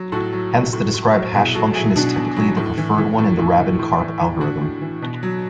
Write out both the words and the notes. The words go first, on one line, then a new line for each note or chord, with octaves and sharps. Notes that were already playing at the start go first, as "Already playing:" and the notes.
Hence the described hash function is typically the preferred one in the Rabin-Karp algorithm.
Already playing: F#3
A2 F#4 A4
F#3
F#3
A2
A2
F#3
B2 E4 G#4
F#3 F#4 A4
F#3 E4 G#4
B2 D4 F#4
B2
F#3
A2
E3
E3
A2
A2
E3
A2
E3
E3
A2 D4 F#4
A2
E3
B2
F#3